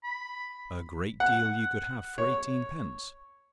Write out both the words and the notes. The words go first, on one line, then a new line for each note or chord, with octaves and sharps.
A great deal you could have for eighteenpence!
B5
F#5
C#5